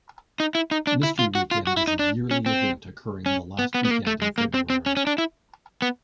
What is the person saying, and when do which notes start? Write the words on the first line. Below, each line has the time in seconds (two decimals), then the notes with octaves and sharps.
Mystery Weekend is a yearly event occurring the last weekend in February.
0.40 D#4
0.55 E4
0.71 D#4
0.87 D4
1.03 E4
1.19 F4
1.35 F#4
1.51 F4
1.67 F#4
1.77 E4
1.88 D#4
1.99 D4
2.31 C#4
2.46 C4
3.26 C#4
3.59 B3
3.74 B3
3.85 B3
3.91 A#3
4.07 A3
4.22 G#3
4.38 A#3
4.54 C4
4.70 C4
4.86 C#4
4.97 C#4
5.07 D4
5.18 E4
5.82 B3